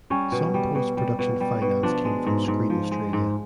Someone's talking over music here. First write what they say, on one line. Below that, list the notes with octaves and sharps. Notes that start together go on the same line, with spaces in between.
Some post production finance came from Screen Australia.
G3 C#4
B2
G3
B2
G3
B2
G3
B2
F3 D4
G#3
G#2
G#2
F3
G#3
G#2